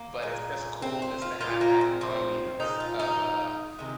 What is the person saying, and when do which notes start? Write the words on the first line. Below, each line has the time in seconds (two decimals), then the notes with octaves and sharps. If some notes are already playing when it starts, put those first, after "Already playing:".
but, it's just cool just to have that ambiance of, uh,
Already playing: A#3
0.22 A#2 G#3
0.82 C4
1.02 C4
1.22 F4
1.41 A#2 F3 G#3 F4
1.61 A#3
1.81 C4
2.01 C4
2.60 A#2 F3 G#3 D#4
2.80 F4
2.99 D#4
3.79 C3 D#3 G#3